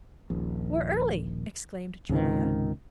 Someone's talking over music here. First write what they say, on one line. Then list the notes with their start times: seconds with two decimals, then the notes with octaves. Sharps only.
"We're early!" exclaimed Julia.
0.30 D#1 A#1
2.09 C#2 G#2 C3 D#3